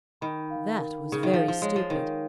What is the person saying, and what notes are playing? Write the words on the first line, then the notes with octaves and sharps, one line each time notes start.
'That was very stupid.
D#3 B5
F5
A#4
D#4
C#3
D#3
F3 F5
F3
G#3 C#5
F3
D#3 A#4